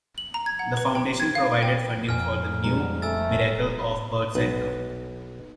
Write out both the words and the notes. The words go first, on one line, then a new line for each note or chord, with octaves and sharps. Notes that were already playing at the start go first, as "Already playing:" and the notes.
The foundation provided funding for the new Miracle of Birth center.
F#7
A#5
G#6
F#5
B4
G5
G#6
F5
G5
F2 G#5 F6
G3 G#3 D#4 A#5
A3 G#5 E6 A6
B1 B4